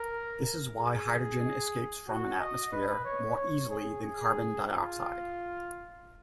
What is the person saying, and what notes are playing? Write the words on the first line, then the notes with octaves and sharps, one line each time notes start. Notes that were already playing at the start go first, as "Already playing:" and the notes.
This is why hydrogen escapes from an atmosphere more easily than carbon dioxide.
Already playing: A#4
G#4
F#4
D#5
B4
C#5
C#5
G#4
G#4
F4